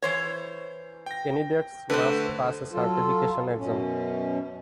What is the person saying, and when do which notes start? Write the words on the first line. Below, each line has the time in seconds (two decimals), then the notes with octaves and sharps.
Candidates must pass a certification exam.
0.02 E3 C5 C#5
1.06 G5 A#6
1.90 D3 A3 B4 C5
2.72 F#3 F4 A4
3.58 F#2 B2 C#4